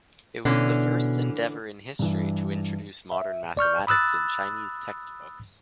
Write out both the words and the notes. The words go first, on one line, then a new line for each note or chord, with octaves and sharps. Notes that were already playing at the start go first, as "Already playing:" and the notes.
It was the first endeavor in history to introduce modern mathematics in Chinese textbooks.
B2 D3 E3 C#4
G2 E3
E5
D5 C#6 F6 G6
B5 D#6 E6 F#6 A6